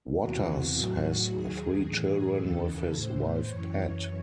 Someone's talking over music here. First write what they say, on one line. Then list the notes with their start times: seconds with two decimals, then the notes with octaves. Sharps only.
Watters has three children with his wife Pat.
0.22 E2 C3 E3 F#4
0.76 A2 F#3
1.30 D#2 D#3 F#3 G#4
1.85 A2 E3
2.39 D#2 C#3 E3 A4
2.92 A2 E3 C5
3.47 F#2 E3 C#5